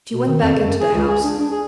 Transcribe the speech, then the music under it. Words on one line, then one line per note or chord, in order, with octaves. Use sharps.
She went back into the house.
B2
D#3
F2
C#3
F#2
G#4
C#2
G#4
D4
D4
G#4